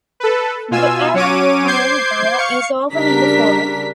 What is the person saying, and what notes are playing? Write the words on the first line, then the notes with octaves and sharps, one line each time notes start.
The Evelyn Cameron Gala is often in the fall.
A4 B4
B2 F4 G#5 E6
F#3 C#4 C#5 D6 D#7
C5 D6 G6 G#6 C7
F5 C#6 C#7
C#3 G3 D4 A#4 B6